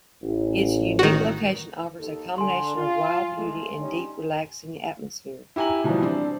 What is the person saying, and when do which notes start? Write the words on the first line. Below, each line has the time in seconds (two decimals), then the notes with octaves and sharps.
Its unique location offers a combination of wild beauty and a deep relaxing atmosphere.
0.23 A1
0.99 D#3 F#4
1.98 D#2 D#4 A4
2.38 D3 D4 G#5 C6
2.76 F4
3.38 G#3 A3
3.79 G3 C#4 D#4
5.56 E4 G4 G#5 A#5 F#7
5.84 B2 E3 F3 G3
6.02 C4 D4